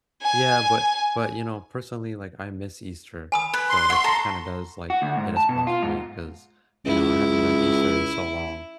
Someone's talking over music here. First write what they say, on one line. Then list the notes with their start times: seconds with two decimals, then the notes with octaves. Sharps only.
Yeah, but but, you know, personally, like, I miss Easter, so it kinda does, like, hit a spot for me 'cause, you know, I haven't done Easter in so long,
0.23 G#5
3.32 G#5 B5 D#6
3.53 B4
3.70 C6
3.90 E5 F#5 C#6
4.04 A4 A#5
4.90 F#4
5.02 D2
5.17 G#2
5.37 A5
5.49 B2
5.67 F4
5.83 G#2
6.86 C#2 E4